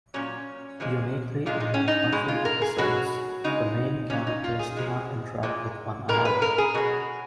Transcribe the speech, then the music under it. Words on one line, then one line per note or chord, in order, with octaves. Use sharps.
Uniquely among "Buffy" episodes, the main characters do not interact with one another.
A#2 F#3 C#4
A#2 F3 G#3
A#2 G#3 F4
D#4
C#4
D#4
B2 G#3
F4
A#4
G#4
B2 F#3 F#4
C#3 G#3 D#4
A#2 F#3 C#4
D#4
F4
G#4
A#2 F3 G#3
A#2 G#3
B2 G#3 A#4
B4
A#4
G#4
B2 F#3 F#4